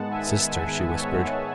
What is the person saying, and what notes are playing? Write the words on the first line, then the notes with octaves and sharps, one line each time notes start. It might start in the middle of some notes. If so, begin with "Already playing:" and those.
"Sister!" she whispered.
Already playing: G#2 D#3 G#3 B3 F#5 A5
E5 G#5
E5 G#5
C#5 E5